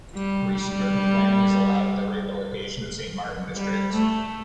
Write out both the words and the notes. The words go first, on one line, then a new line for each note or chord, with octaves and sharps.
Recent urban planning has allowed the rehabilitation of Saint-Martin district.
G3
G3
G3
A3